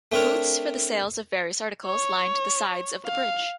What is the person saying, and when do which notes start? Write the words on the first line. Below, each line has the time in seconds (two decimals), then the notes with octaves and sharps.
Booths for the sale of various articles lined the sides of the bridge.
0.12 A3 C4 D4 A#4 C#5
1.86 C#5
3.06 F5